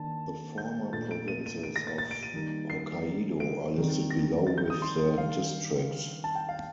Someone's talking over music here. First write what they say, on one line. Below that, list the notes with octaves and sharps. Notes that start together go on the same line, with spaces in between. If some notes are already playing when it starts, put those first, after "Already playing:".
The former provinces of Hokkaido are listed below with their districts.
Already playing: D#3 A#3 D4 A5
G6
A#2 A3 D4 A6
D7
D#7
D#7
D7
A#6
A6
A6
D7
D#7
D#3 G3 A#3 D#4
C7
D7
C3 D#3 G3
A#6
A6
G6
D#6
C6
D#3 G3 D4 F5
A5
G5
F5